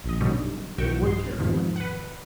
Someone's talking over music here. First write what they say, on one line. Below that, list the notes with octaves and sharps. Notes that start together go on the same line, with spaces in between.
They would care for it.
A#1 D#5
F#2 B2 D3 G3 C#4 D#4
B1 F#4 G5 C#6 E7
G2 C6
E2 G#2 C3 D#3 F3
B4 F#5